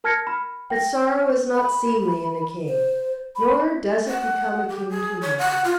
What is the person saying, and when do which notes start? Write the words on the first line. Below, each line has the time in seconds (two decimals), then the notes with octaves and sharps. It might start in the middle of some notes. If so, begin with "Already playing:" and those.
But sorrow is not seemly in a king, nor does it become a king to mourn.
0.04 A#4 A5 F6 G#6 A#6 C#7
0.27 B5 F6
0.70 G5 A#6
1.54 B5
2.67 C5
3.36 B5
4.08 F#5
4.69 G4
4.89 G#4
5.22 C#5
5.39 F#5
5.65 F4